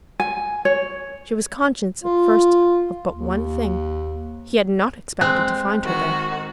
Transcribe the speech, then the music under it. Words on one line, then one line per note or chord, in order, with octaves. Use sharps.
She was conscious at first of but one thing--he had not expected to find her there.
G#5
C#5
F4
D#2
G#3 C4 F#6
D#3 F#4